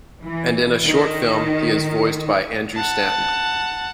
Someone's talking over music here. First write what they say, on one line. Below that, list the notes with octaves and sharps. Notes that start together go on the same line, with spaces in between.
And in a short film he is voiced by Andrew Stanton.
E3
D#3
F#5 A5